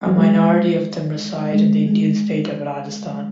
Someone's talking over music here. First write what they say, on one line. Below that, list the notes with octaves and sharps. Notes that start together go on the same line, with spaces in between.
A minority of them reside in the Indian state of Rajasthan.
F#3
G#3
G#3
G#3